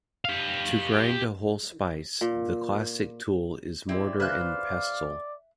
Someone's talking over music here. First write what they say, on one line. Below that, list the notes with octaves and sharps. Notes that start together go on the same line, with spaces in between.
To grind a whole spice, the classic tool is mortar and pestle.
G4 F5
A#2
G#3 C4 E4 D5
C#3 B4 C5 E5 F5 F#6